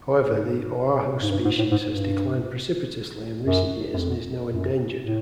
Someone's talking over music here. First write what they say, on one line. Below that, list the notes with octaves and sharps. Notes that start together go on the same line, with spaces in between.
However, the Oahu species has declined precipitously in recent years and is now endangered.
G#2
G#2
G2
G#2
A2
G#2
G2
F#2
F#2
F2
F#2
A2